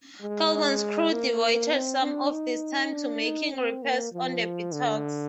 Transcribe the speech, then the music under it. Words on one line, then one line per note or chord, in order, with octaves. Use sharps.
Colburn's crew devoted some of this time to making repairs on the bateaux.
G#3
A#3
C4
D4
D#4
D4
D#4
C4
A#3
F3
D3